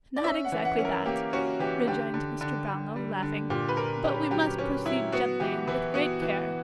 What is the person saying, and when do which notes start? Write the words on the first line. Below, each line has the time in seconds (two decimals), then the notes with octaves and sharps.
'Not exactly that,' rejoined Mr. Brownlow, laughing; 'but we must proceed gently and with great care.'
0.16 D5
0.24 C#4 E5
0.45 F#5
0.52 E3
0.65 F#5
0.79 C#4
0.85 A#4
1.06 A#3 G4
1.33 C#4 F#4
1.60 E3 G4
1.88 D3 G4
2.14 D3
2.41 D3
2.69 D3
2.96 G3
3.23 D3
3.50 A#2 G4
3.68 B4
3.77 A#2 A#4
4.04 C#4 G4
4.31 F#3 G4
4.59 C#4
4.86 F#3 E4
5.12 B3 F#4
5.40 E3 G4
5.67 E3 E4
5.94 B3 F#4
6.22 E3